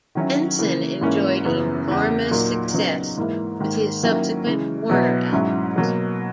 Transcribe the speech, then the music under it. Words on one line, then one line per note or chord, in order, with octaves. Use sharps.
Benson enjoyed enormous success with his subsequent Warner albums.
D#3 F#3 C#4 E4
C#3 E3 A#3
G#2 E3 A#3 C#4 E4
F#2 C#3 E3 B3
E2 C#3 E3
A#2 F#3 A#3 D#4
C#3 F#3 B3 D#4
G#2 E3 A#3 E4
G#2 D#3 A#3
D#3 F#3 A#3 C#4 E4
C#3 E3 G#3
B2 F#3 B3 E4
G#2 F#3 C#4 E4
B2 F#3 A#3